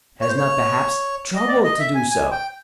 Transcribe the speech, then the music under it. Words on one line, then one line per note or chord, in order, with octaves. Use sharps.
Has not perhaps troubled to do so.
C#5
C5
C#5
D#5
D5
D#5
E5
G#5
G#5
G5